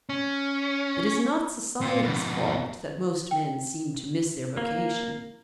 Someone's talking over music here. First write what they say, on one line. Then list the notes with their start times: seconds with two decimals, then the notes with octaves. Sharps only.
It is not society's fault that most men seem to miss their vocation.
0.09 C#4
1.81 A#2 F4
2.03 F2 B2
3.31 G5
4.57 A#3